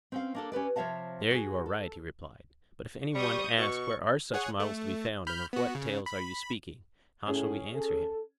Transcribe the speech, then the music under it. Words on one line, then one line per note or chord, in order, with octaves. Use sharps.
There you are right, he replied; but if any one asks where are such models to be found and of what tales are you speaking--how shall we answer him?
C4 C#4 F5
A#3 D4 A4
C#4 G4 B4 D5
C3 F3 C#5 E5 F5 A5
F#4 G#4
A4
G3 C#6 D#6 G6
B2 C#6
G#4 C#5 F#5
A3
B5 F6 G6
B3 F#4
C#3
B5
A2 C#4 G#4
A4